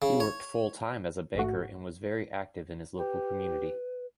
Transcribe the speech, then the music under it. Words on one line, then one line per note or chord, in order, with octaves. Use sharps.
He worked full-time as a banker and was very active in his local community.
C#3
C#5
A1 G#2 A3 F#4
G4 B4